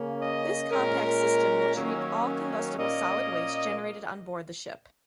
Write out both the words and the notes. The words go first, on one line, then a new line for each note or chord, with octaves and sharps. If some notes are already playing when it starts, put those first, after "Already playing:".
This compact system will treat all combustible solid waste generated on board the ship.
Already playing: C#3 A#3 C#4
D#5
A#2 G#3 C#4 A#4
D#3 F#3 A#3 C#4
A#2 A#3 C#4 D#5